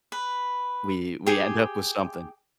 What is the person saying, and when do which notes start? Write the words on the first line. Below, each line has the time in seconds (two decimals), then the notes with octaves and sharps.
we we end up with something.
0.12 B4
1.27 G4 G#4